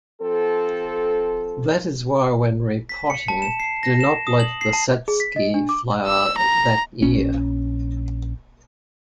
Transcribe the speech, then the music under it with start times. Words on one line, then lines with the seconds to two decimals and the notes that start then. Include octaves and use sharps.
That is why when repotting, do not let the Satsuki flower that year.
0.22 F3 C4 A4
2.89 B6
3.10 C#7
3.28 A5
3.42 E7
3.60 C7
3.83 A#6
4.00 E7
4.27 D#6
4.40 F#7
4.61 C7
4.73 A5
5.08 G#4
5.20 B6
5.36 D#5
5.54 D4
5.69 D6
6.06 E6
6.38 A#5
7.02 A#1 C#4